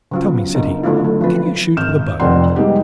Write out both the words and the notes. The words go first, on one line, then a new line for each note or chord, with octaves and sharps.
"Tell me," said he, "can you shoot with a bow?"
C#3 F#3 F4
B3
C#3 B3 D4 D#4 A#4
D3 F#3 A3 E4 F4
A3
F3 C4 B4
G#1 F6 G6 E7
F1 F2 C4 D5 F#5 C6
G3 G#3 B3 D#4 G4